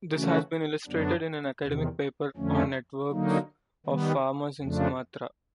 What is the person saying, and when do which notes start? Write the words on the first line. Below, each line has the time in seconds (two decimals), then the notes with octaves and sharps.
This has been illustrated in an academic paper on networks of farmers in Sumatra.
0.12 C#3 E3 A3 C#4 F#4
0.87 F#2 D3 F#3 B3 D4
1.62 E2 C3 D#3
2.36 F2 D3 F3 A3 C#4
3.11 D3 F#3 A#3 D#4
3.86 D#3 G3 B3
4.61 F2 C#3 F3 A3 D4